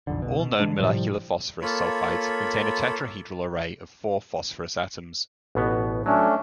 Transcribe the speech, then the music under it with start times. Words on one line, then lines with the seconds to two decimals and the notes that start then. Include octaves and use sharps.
All known molecular phosphorus sulfides contain a tetrahedral array of four phosphorus atoms.
0.07 B1 F2 D3
0.22 C2 B2
0.39 B2
0.60 C#3 E3 G#3 D4
0.79 A2 C3 F3 G3
1.62 A#3 F4 A4 C#5 B5
5.55 A1 B2 B3
6.06 F#3 A3 C#4 D4